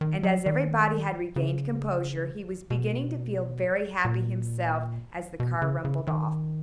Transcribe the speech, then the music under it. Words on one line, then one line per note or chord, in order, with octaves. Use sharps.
And as everybody had regained composure, he was beginning to feel very happy himself as the car rumbled off.
D#3
F#3
D#3
C#3
B2
A#2
B2
C#3
C#3
D#3